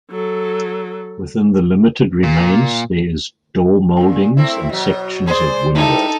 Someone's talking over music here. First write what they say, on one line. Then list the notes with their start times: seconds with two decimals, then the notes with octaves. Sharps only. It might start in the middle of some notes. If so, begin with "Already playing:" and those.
Within the limited remains there is door mouldings and sections of window.
0.11 F#3 A4
2.23 A#2
3.97 F#2 A#2
4.37 A3 C4 E4
4.69 B2 F#3
5.27 G#4 C5 D5
5.75 G3 D#4 E4 G4 A4